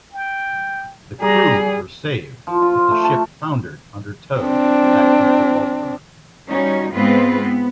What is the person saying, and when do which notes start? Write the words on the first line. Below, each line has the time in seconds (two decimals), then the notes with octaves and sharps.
The crew were saved, but the ship foundered under tow back to Gibraltar.
0.13 G5
1.21 G3 G#4 A#5
2.47 F3
2.62 F4
2.91 A3
3.04 A5
4.40 C4 D4
6.48 G3 C#4 D#4 F#4
6.92 G#2 G#3 B3 C4 F4 B4
7.38 B3